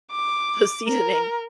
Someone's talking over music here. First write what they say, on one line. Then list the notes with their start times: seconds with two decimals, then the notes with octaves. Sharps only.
the seasoning.
0.12 D6
0.87 A#4